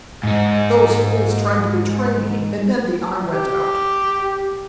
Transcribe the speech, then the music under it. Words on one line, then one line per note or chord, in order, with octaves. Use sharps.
Those fools tried to betray me, and then the Eye went out.
G#2 D#4
G4